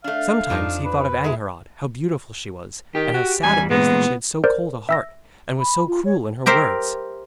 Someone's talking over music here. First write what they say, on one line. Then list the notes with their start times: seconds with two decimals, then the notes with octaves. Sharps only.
Sometimes he thought of Angharad, how beautiful she was, and how sad it was that she had so cold a heart, and was so cruel in her words.
0.04 A3 D4 F5
0.50 F2 F3 D4 D#4
0.85 B4
1.24 G#3 E4
2.95 D#3 G4
3.14 F#4
3.43 E2 G3 G#5
3.71 A#2 E3 G#3 B3
4.44 A#4 C5 D5
4.89 E5 E6 A#6
5.60 B5
5.87 F4
6.05 C#5
6.46 G4 A#4 C5 E5